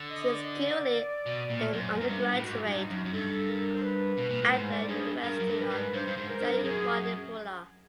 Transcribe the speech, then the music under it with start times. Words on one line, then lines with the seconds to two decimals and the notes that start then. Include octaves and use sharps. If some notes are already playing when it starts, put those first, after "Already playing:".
She is currently an undergraduate at the University of Jayewardenepura.
Already playing: D3
0.09 D#5
0.22 D#5
0.33 D5
1.26 B2
1.50 A#2
1.67 C#5
1.73 F#2 C5
1.97 G#2 A#4
2.08 G2
2.20 B4
2.33 A2
2.43 G#2 F#4
2.51 G4
2.58 F#4
2.67 G2 D#4
2.90 F#2
3.05 F#2
3.13 G2 A4
3.48 A#4
3.74 C5
3.83 B4
4.17 B2
4.29 A#2
4.41 A2
4.54 G#2 C5
4.72 D5
4.88 G2 G#4
5.24 G2 A#4
5.40 F#2
5.47 G2
5.59 B4
5.70 G#2
5.94 G2 C5
6.07 G2
6.17 G#2
6.29 A#4
6.41 G2
6.53 G2
6.64 F#2 G#4